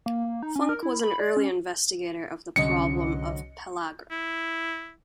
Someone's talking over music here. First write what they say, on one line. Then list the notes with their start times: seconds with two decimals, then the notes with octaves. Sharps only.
Funk was an early investigator of the problem of pellagra.
0.06 A#3
0.24 A#3
0.42 D#4
0.56 C#4
0.69 A#4
0.83 E4
1.00 B5
1.20 D5
1.37 C#4
2.56 C2 G#2 D3 F#3 C#4 D#5 C#7
4.11 E4